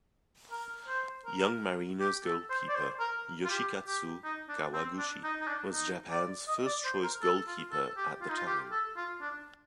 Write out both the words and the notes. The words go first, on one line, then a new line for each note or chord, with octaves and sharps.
Young Marinos goalkeeper, Yoshikatsu Kawaguchi was Japan's first choice goalkeeper at the time.
A#4
C5
A#4
G4
A4
C5
D5
C5
A#4
F4
G4
G4
D#4
D4
C4
D4
D#4
D#4
D4
D#4
D5
D#5
D5
C5
A#4
A4
F4
A4
G4
F4
D#4
F4
G4
A4
F4
D4